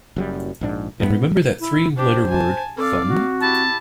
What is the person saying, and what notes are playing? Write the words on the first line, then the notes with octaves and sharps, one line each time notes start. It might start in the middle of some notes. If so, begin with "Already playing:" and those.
And remember that three-letter word, 'fun'?
F#1 F#2 G3
A#1 G#2 D4
A2 B3
E4
D4 G4 C5
G#5 A5
C4 A4 D5 F5
F#4
E4 G4 A5